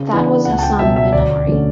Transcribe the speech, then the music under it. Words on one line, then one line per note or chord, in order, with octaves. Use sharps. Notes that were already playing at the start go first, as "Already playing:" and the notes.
That was Hassan bin Omari.
Already playing: C#3
E3 B3 D4
C#2 F#5
A5
G5
B2 F#3 E5
E5
D2 D5
D3 F#3 A3 C#4